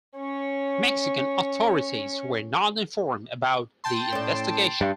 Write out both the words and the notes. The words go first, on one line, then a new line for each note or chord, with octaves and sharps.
Mexican authorities were not informed about the investigation.
C#4 C#5
G5 A5 C6
A2 C#4
G2